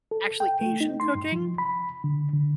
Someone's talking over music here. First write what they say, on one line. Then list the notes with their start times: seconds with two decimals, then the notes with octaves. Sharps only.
actually Asian cooking?
0.11 A4
0.40 G5
0.61 A3
0.81 D#4
1.00 C6
1.15 G2
1.32 F3
1.58 B5
2.04 D3
2.33 D3